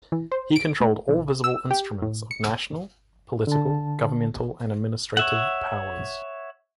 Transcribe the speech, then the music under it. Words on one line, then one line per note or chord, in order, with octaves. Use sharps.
He controlled all visible instruments of national, political, governmental and administrative powers.
E3
C5
D7
A3
B1
E6
G4
A2
C#7
D3 A5
C#5 E5 F#5